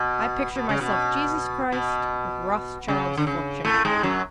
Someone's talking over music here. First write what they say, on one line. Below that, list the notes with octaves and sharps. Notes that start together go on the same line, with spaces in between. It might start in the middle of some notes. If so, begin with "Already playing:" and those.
I picture myself Jesus Christ with Rothschild's fortune!
Already playing: B2
B2
C#3
B2
B2
C#3
D3
C#3
A2 A3
G#2 G#3
F#2 F#3